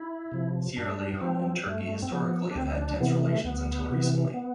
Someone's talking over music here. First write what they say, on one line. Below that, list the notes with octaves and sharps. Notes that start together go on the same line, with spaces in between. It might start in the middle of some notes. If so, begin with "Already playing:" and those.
Sierra Leone and Turkey historically have had tense relations until recently.
Already playing: E4
C3 F3
G2 D4
F3 C4
G2 A3
C4
F3 B3
D4
D2 C4
D4
C3 E3 B3
A3
D2 B3
C3 E3
B3